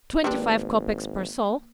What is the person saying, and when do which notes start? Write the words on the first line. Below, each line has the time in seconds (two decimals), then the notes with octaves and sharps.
"Twenty-five kopecks per soul."
0.24 G#1 G3 A#3 C4 D4 B4